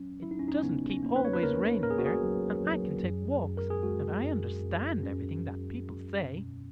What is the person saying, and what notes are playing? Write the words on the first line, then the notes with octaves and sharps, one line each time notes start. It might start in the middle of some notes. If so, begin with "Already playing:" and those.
"It doesn't keep always raining there, and I can take walks, and I understand everything that people say."
Already playing: F#3 C#4
F#3 E4
D#4
C#4
D#4
C#4
C#3 B3
C#4
A#3
B4
C#5
B4
A#3 A#4
A#3 A#4
G#4
F#4
G#4
F#3
F#3
F#2
F#2
A#4
G#4
G#3 F#4
F#2
F#2
F#2 C#4
F#2
F#2
B2